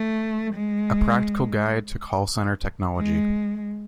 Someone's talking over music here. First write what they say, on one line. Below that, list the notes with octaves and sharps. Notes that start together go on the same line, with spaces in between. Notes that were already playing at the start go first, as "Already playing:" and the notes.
A Practical Guide to Call Center Technology.
Already playing: A3
G#3
G#3